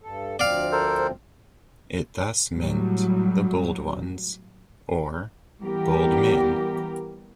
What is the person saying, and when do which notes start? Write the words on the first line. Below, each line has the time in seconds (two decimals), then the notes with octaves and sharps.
It thus meant "the Bold ones" or "Bold men".
0.02 G2 A4
0.39 D2 F3 C4 D5 F5
0.72 A4 A#4 C5
2.55 A2 F#3 G3
5.62 E3 G3 B3 G4 A#4